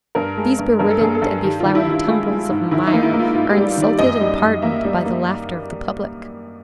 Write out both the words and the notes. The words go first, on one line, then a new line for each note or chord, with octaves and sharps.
These be-ribboned and be-flowered tumbrils of mire are insulted and pardoned by the laughter of the public.
G2 A#4
G#3
G2
G2 A#4
A4
G2 G#4
A4
G2
D#3 G4
D#3 F4
E4
D#3 E4
G#3 F4
G#3
G#2
D#3 E4
D#4
A#3
E4
A#3
F4
G#2 F4
G4
G3
D#3
D5
F#2 D#5
G3
F#2
A#3 E5
G3
A#3